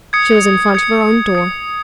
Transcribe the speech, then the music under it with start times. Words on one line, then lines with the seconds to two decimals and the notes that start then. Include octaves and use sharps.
She was in front of her own door.
0.13 D#6 G#6 C#7
0.74 D#6 G#6 C#7
1.35 D#6 G#6 C#7